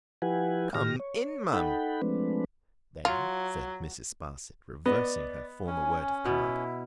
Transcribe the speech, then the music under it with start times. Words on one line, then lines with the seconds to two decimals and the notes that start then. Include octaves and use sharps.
Come in, ma’am!’ then said Mrs. Sparsit, reversing her former word of command.
0.22 F3 E4 G4 B4 F#5 G#5
0.74 A2 D#3 G4 F6 A#6
1.00 C#5
1.53 D#4 A4 F#5 G5 B5
2.02 F3 G#3 A3 C4 D4 B4
3.05 F#3 F4
4.86 B3 D5 D#5
5.67 C#4 G#5
6.25 B2 B3 E4